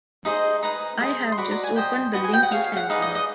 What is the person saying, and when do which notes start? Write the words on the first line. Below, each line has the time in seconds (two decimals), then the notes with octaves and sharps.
I have just opened the link you sent me.
0.25 D#4 G#4 C5 D#5 E5
0.62 D#4 G#4 B4 A#5
1.00 G#4 C5 D#5
1.32 C6
1.37 F#4 B4 D5 B5
1.51 A#5
1.63 G#5
1.75 G4 C5 D#5 G5
2.13 F#4 B4 D#5
2.24 G#5
2.33 G5
2.43 F#5
2.51 G#4 C#5 F5
2.64 F5
2.77 F#5
2.90 D#4 G#4 B4 D5 F5
3.02 D#5
3.15 D#5